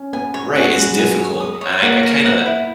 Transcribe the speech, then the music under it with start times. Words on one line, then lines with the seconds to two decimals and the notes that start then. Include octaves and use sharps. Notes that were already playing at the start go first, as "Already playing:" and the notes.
Right, it's difficult, and I I kinda
Already playing: C#4
0.13 B3 G#5
0.34 C#5
0.56 C#4 F#5
0.66 B3
0.76 G#3 F#4
0.87 F#3
0.98 G#3 G#5
1.19 C#5
1.40 D#6
1.61 C#5
1.82 A#3 F#5
2.03 A#4
2.24 B3 F#5
2.46 E4